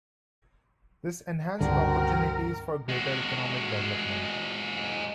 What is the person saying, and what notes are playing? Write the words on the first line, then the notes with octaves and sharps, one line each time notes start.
This enhanced opportunities for greater economic development.
C#2 G2 D3 D#3 C4 F#4 A#4
G#3 F#4